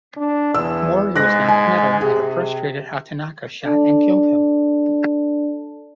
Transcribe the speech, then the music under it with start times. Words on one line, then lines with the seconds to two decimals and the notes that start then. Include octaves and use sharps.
Mori was non-committal and a frustrated Hatanaka shot and killed him.
0.17 D4
0.54 E2 E6
1.16 G#2 F#6 A#6
1.49 G#5
2.01 C3 G#4
3.63 D4 A4 D5 A5